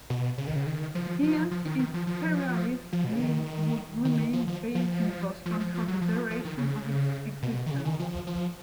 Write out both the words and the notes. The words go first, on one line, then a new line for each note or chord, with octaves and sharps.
The Anti-Imperialist League would remain based in Boston for the duration of its existence.
B2
C#3
D#3
C#3
D#3
F3
F3
F3
D#3
D#3
F3
F3
F3
B2
C#3
D#3
D#3
F3
F3
F3
F3
F3
F3
F#3
F3
F3
D#3
C#3
B2
D#3
C#3
D#3
F3
F3